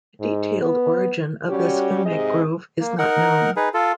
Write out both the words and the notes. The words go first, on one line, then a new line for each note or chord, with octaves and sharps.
A detailed origin of this ume grove is not known.
G#2
B3
G3 C#4 F#4 G4 C#5
G#2 C3 G#4 D#5
A#3
D#4 A#4 F#5
D#4 G#4 B4
F4 A4